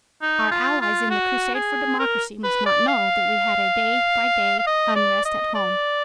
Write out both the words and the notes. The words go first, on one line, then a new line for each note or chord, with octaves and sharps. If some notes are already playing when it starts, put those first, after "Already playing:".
Our allies in the crusade for democracy must not know that we had a day-by-day unrest at home.
D#4
F4
F4
F#4
G#4
A#4
B4
D5
F5
F5
D#5
D5
D#5
D5